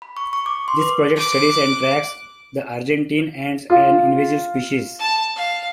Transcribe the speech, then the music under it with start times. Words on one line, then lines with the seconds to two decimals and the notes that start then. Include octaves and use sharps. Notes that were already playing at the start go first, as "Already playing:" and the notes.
This project studies and tracks the Argentine ants, an invasive species.
0.02 B5
0.17 C#6
0.33 C#6
0.46 D6
0.68 C6
0.80 B4
1.16 D6 F#6
3.70 F4
4.99 A5
5.36 F5